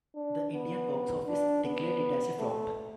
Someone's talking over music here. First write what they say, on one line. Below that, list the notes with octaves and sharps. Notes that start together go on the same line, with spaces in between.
The Indian Box Office declared it as a flop.
D4
B3
D4
B3
A3